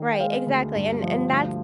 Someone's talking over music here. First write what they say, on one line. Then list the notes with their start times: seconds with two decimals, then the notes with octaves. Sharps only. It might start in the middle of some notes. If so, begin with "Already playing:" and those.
Right, exactly, and and that's
Already playing: D#3
0.12 G5
0.20 G#3 F5
0.47 D2
0.75 G2
1.02 F3
1.30 D2